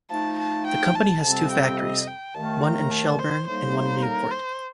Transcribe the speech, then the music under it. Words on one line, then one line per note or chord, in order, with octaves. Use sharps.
The company has two factories: one in Shelburne and one in Newport.
F3 A3 D#4 A5
A5
G5
A5
F2 C3 G3 C4 A5
G5
D#5
G5
D#2 D#3 A3 A5
A#5
A5
C5
A2 G3 A#3 D#4 C5
A#4
C5